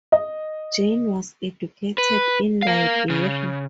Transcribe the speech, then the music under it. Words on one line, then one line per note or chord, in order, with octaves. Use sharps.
Jane was educated in Liberia.
D#5
B4
A#4 F5
C#3